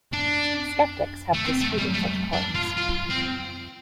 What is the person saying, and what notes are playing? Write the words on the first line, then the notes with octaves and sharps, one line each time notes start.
Skeptics have disputed such claims.
D4
A3
C4
A3
G3
A3
D4
F4
F4
C4